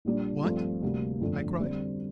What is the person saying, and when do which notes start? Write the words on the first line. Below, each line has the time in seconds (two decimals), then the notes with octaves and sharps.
"What!" I cried.
0.05 A#1 A#2 G3 D4
0.44 G2 F3 A3 C4 F4
0.82 D2 C3 G3 A#3
1.20 G1 F2 D3 A3
1.59 D3 G3 C4